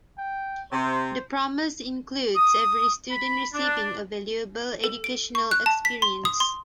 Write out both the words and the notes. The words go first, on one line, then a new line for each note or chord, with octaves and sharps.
The promise includes every student receiving a valuable educational experience.
G5
C3 C5
D#6
B5
D4
A4
D7
C#6
F#6
A5
B6
C6
D#6
C6